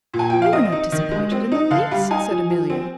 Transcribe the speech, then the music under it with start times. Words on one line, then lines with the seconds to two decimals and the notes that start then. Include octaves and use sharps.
"We were not disappointed in the least," said Amelia.
0.14 A#2
0.19 G#5
0.30 F3 G5
0.42 F5
0.53 C4 D#5
0.72 D#4
0.92 D#3
1.11 G#3
1.32 C4
1.52 D#4
1.71 D3 F5
1.91 G3 F5
2.11 D#4 G#5
2.30 F3
2.50 F3
2.70 C4